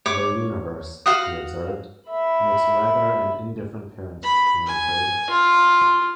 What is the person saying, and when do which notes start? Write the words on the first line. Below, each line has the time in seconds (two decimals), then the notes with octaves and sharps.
"The universe," he observed, "makes rather an indifferent parent, I am afraid."
0.06 C#5 D6
1.06 F#4 F5 F#5 D#6
2.09 E5 B5
4.23 B5
4.67 G#5
5.30 F4